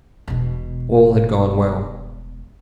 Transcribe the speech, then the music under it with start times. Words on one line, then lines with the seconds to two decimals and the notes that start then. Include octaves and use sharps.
All had gone well.
0.28 E1 B2